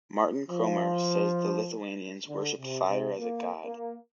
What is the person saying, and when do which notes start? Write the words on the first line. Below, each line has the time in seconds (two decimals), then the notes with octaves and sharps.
Martin Cromer says the the Lithuanians worshipped fire as a god.
0.50 F3
2.29 D3
2.59 C3
2.88 C3
3.18 A#3
3.64 A#3